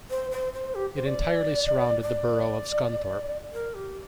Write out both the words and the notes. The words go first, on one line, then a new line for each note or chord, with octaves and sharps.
It entirely surrounded the Borough of Scunthorpe.
C5
C5
C5
G4
C5
D5
D5
A#4
G4